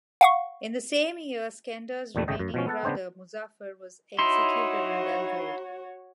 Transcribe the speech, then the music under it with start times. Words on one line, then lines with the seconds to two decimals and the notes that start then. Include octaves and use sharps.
In the same year, Skender's remaining brother Muzafer was executed in Belgrade.
0.21 F5 F#5 C#6
2.15 E2 A#2 G3 A3 D4
2.28 G#1 C#3 A3 D#5 G5
2.39 F#2
2.54 B2 F3 C#4
2.67 B3 A4 F#5 A5
2.84 C#3 B3 D4 C5 G5
4.19 D#4 E4 F#4 C#5 C6